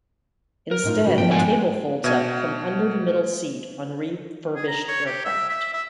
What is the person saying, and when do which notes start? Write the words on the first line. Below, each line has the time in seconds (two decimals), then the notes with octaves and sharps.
Instead, a table folds up from under the middle seat on refurbished aircraft.
0.71 A#4
0.84 A2 D#4 F4
1.04 C#3 F#4
1.18 F3 B3 G5
1.31 G#2 F#5 G#5
2.04 B2 E5 G#6 D#7
4.56 G#4
4.68 A#5
4.88 C#5
5.06 G4
5.25 E5
5.49 E5
5.73 E5